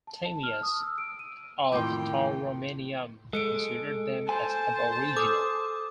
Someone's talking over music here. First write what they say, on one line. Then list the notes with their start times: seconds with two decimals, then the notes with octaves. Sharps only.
Timaeus of Tauromenium considered them as aboriginal.
0.07 A5
0.25 A5
0.43 F6
0.63 D#6
0.82 E6
0.98 D7
1.19 D#7
1.72 F2 A2 D#3 G5 C6 D6
3.33 G#3 A4 C#7 D7
4.29 C5 G#5 A5
5.17 A4 D6 D#6